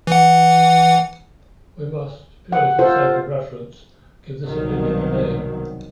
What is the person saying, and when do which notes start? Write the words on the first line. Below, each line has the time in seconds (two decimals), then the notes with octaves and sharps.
We must, purely for the sake of reference, give this opinion a name.
0.07 E3 F#5
2.52 F#5
2.79 F4 A4 C5
4.45 C2 B2 D#3 F#3